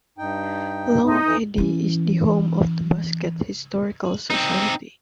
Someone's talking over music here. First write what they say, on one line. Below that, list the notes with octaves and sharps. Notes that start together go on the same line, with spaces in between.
Long Eddy is the home of the Basket Historical Society.
G2 D#4 G5
A2 G#3 A3 D#4
F2 E3
E3 C#4
C4 D#4